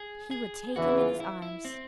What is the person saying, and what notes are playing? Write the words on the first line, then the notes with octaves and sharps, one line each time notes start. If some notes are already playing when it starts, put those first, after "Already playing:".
He would take him in his arms.
Already playing: G#4
G#4
E2 C#3 E3 F#4
E4
F4
E4
E4
C4